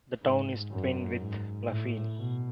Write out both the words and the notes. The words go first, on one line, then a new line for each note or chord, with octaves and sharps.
The town is twinned with Plaffeien.
G#2
F#2
G#2
A2
B2